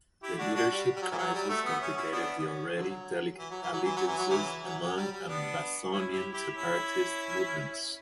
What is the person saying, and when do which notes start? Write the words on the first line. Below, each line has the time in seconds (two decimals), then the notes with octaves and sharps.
The leadership crisis complicated the already delicate allegiances among Ambazonian separatist movements.
0.23 E4 G4
0.39 D4 F#4
0.55 D4 F#4
0.71 G3
0.96 G3
1.02 F#3
1.12 E3
1.18 F#3
1.34 G3
1.49 A3
1.65 B3
1.82 C#4
1.97 C#4 E4
2.12 B3 D4
2.39 B3
2.44 C#4
2.76 D3 F#3
3.39 E3
3.50 F#3
3.62 E3
3.73 F#3
3.84 E3
3.96 F#3
4.07 E3
4.18 F#3
4.30 C#3 E3
4.64 F#3
4.81 F#3
4.97 G3
5.12 G3
5.27 B3 D4
5.91 C#4 E4
6.11 E4 G4
6.33 E4 G4
6.54 C#4 E4